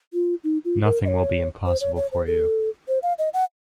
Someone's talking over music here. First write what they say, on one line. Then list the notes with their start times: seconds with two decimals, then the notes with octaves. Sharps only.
Nothing will be impossible for you.
0.13 F4
0.44 D#4
0.65 F4
0.84 A#4
1.05 D#5
1.08 C#5
1.66 C5
1.81 C#5
1.96 C#5
2.12 C5
2.27 A4
2.88 C5
3.03 F5
3.19 D#5
3.34 F#5